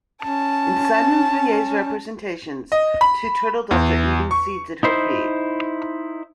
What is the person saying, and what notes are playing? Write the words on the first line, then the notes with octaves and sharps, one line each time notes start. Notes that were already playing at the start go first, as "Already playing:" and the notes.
In Simon Vouet's representations, two turtle-doves are eating seeds at her feet.
C#4 A5
D#5
B5
E2
C#6
D#4 E4 C5